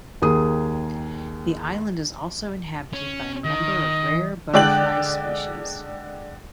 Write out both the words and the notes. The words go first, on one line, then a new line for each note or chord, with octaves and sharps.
The island is also inhabited by a number of rare butterfly species.
D#2 D#3 G#4 D#6
C#4
D#3 D#5
D3 G#3 D5 G5 F#6 F#7